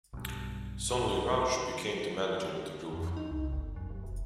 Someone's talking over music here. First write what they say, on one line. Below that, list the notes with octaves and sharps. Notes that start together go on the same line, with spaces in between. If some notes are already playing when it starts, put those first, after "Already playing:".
Sonley Roush became the manager of the group.
B1 G2
F2
D#4
C#2
G1
F#2
F1
E1